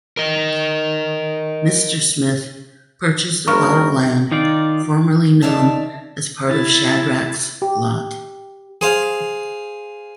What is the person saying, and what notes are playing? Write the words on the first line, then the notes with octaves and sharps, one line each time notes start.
Mr. Smith purchased a plot of land formerly known as part of Shadrack's Lot.
A#4 D#5
F#1 G2 A#4 C#6
D#3 D#4 F4 D5
D#3 D5 E5 F5 A5
E4 A6
G4
G#4 C5 F5